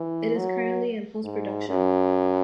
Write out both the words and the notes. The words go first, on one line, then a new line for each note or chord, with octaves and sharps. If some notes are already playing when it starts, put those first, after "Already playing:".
It is currently in post-production.
Already playing: E3
F#3
G#2
F#2